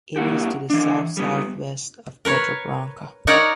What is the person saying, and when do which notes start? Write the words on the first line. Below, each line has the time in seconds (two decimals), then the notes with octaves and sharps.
It is to the south-south-west of Pedra Branca.
0.16 A#3 E4 F#4 G4
0.70 E3 D4
1.17 G3 B3
2.25 A#4 B4 C#5
3.27 D#4 A#4 C#5 D5 F#5